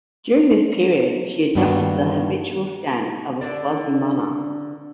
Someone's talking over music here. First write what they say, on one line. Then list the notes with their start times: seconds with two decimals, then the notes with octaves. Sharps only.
During this period she adopted the habitual stance of a Swazi monarch.
1.55 G2 D#3 A#3 B3 D4 F#4
3.41 D3 D4 D5